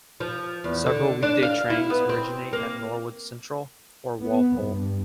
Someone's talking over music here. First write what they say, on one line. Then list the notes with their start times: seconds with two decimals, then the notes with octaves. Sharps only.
Several weekday trains originate at Norwood Central or Walpole.
0.20 F3
0.64 E2
0.86 D3
1.23 D4
1.43 F5
1.70 E4
1.90 B3
2.09 C4
2.53 A#3
4.20 B3
4.59 G2